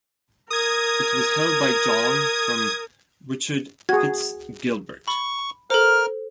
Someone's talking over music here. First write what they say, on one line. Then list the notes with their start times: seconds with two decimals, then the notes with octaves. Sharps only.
It was held by John from Richard Fitz Gilbert.
0.50 A#4 D#6 G#6
3.89 F#4 G#4 G#6
5.08 B5 C#6
5.70 A4 A#4 C5 F6